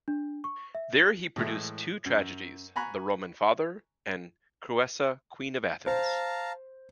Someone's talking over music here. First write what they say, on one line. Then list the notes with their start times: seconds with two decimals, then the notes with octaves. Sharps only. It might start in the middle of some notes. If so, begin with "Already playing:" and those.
There he produced two tragedies: "The Roman Father" and "Creusa, Queen of Athens".
0.08 D4
0.44 C#6
0.75 E5
1.36 A2 E3 G#3 E5
2.06 F#2
2.76 G#5 A#5 B5 C#6 F#6
5.86 C5 F5 A5 A#5